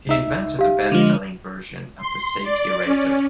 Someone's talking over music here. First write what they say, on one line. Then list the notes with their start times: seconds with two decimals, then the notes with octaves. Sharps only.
He invented a best selling version of the safety razor.
0.07 C#2 D#4 E5
0.59 G4 F5
0.92 D3 F3 G#3
1.98 C6
2.42 D5
2.85 C#4